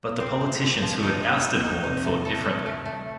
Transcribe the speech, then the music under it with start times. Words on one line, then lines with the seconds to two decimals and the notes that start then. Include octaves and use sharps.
But the politicians who had ousted Horn thought differently.
0.20 A#2 C4
0.41 C4
0.62 D3
0.82 F3
1.03 D#4
1.23 D#4
1.43 D#4
1.64 D#4
1.83 C3 D#4
2.04 A3
2.25 A4
2.45 A4
2.66 A3
2.86 A3